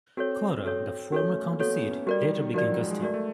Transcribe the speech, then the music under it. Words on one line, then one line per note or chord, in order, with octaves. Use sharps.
Cora, the former county seat, later became Gustine.
C4 F#4 A4 C#5
F#4 A4 C#5
C#4 F#4 A4 C#5
A3
A#3
B3 F#4 A4 C#5
B3
C#4
G3 F#4 A#4 D5
D#3
D#3
F3 F#4 A#4 D5
F#3
G#3
G#3
A3 F#4 A#4 D5
A3